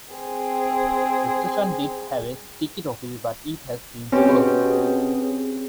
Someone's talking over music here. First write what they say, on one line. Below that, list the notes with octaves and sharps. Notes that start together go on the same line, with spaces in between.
The station did have a ticket office but it has since closed.
C4 G#4
B2 C4 C#4 G4 G#4